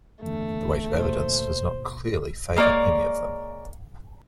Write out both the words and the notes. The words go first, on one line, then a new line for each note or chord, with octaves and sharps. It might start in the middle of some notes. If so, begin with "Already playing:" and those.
The weight of evidence does not clearly favor any of them.
F#1 E2 D3 A3
D#2 B2 C5
G#3 A#3 C#5 D5